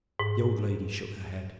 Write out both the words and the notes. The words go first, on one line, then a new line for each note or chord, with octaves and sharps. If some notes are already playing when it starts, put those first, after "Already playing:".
The old lady shook her head.
G#2